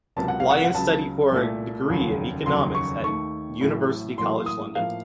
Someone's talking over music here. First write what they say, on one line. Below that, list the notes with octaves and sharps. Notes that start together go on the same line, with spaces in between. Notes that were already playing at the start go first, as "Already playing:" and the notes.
Lyons studied for a degree in Economics at University College London.
C#2 C3 F#3 A#3 A5
F#5
F5
F#5
F#5
C#2 C#3 F#3 A5
C2 A#2 A3
F1 D#2 C#3 F#3
F1 D#2 C#3 F#3 C6
C#6
D#2 D#3 A3 C#6
A1 A2 F#3
A1 A2 F#3 A#3 C6
D#6
A2 F3 A#3 F5